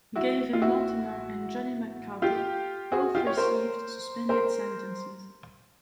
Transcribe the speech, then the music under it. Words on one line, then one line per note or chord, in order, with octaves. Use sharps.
Gavin Mortimer and Johnny McCarthy both received suspended sentences.
E4 F#4
F4
E4 F#4
F4 G4
F#4 G#4
F4 G4
C#5
A#4 C5
A#4 C5